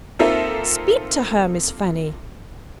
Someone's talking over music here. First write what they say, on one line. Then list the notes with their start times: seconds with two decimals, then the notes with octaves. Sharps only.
Speak to her, Miss Fanny!'
0.19 A#3 C4 D#4 F4 A4 E5